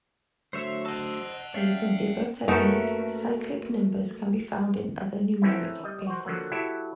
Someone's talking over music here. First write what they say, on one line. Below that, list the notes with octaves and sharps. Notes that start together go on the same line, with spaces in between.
Using the above technique, cyclic numbers can be found in other numeric bases.
D3 F#3 A3 C5 C#5 E5
C5 D#5 F#5 A5 E6
C#4 C#5 D5 E5 F5 G5
F#2 A3 A#3 C#4 D#4 F#4 A#4 B4
E3 A3 C4 C#4 D#4 E4
G3 D#5
F#4 C5
D3 F3 F#3 A#3
F#3 E4 G4 A4